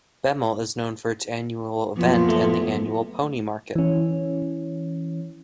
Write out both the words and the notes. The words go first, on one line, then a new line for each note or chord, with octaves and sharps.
Bemmel is known for its annual event and the annual pony market.
F#2 F3 A#3 B3
A3
E3 C#4